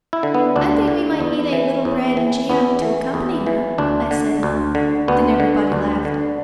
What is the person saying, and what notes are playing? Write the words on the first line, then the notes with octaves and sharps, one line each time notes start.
"I think we might eat a little bread and jam to accompany her," I said. Then everybody laughed.
E4
D3
B3
D2 D4
D3
E2
E3
E2
E3
E2 B3
E3
E2
E3
D2 D4
D3
D2
D3
D2 B3
D3
D2
D3